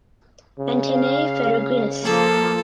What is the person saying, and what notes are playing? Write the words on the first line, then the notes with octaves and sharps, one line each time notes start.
Antennae ferruginous.
C#3
F5
F3 A#3 A4